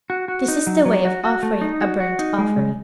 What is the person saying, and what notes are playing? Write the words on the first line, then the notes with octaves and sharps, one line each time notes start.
This is the way of offering a burnt-offering.
F#4
F#4
D#4
F#3
F#3
F#4
F#4
A3
D#4
F#4
F#4
D#4
G#3
C#3